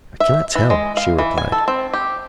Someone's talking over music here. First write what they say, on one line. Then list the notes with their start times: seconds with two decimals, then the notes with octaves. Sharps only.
"I cannot tell," she replied.
0.20 E5
0.55 E3
0.70 G#3
0.97 F5
1.18 E3
1.38 G#5
1.52 A4
1.68 C4
1.93 G4